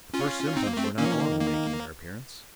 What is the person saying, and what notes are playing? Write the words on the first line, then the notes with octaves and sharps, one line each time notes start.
The first symptoms were not long in making their appearance.
C#4 F4
C4 D#4
A#3
A3 C4
D#3 A#3 C#4
F3
D#3
A#3
A#3